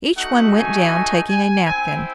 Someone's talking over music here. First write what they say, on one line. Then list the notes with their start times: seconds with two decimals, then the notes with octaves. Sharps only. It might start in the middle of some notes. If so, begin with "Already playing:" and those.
Each one went down, taking a napkin.
0.16 A3 D#4 F#4 F#5
0.53 G#5
1.27 G#5
1.64 C4 E4 G#5